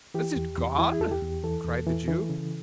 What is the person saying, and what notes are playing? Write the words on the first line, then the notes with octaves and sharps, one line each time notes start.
'Is it gone?' cried the Jew.
E3 G4
E2
E2
E3 E4
E2 A4
G4
E2
E3 A4
E2
E3
E3
C#3